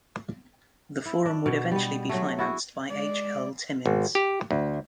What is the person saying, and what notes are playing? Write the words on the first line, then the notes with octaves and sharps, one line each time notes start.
The Forum would eventually be financed by H. L. Timmins.
E4
D4
B2
G3 B3
F#3 A3
E4 F#4 G#4
G#3 D5
G#1
G4
D2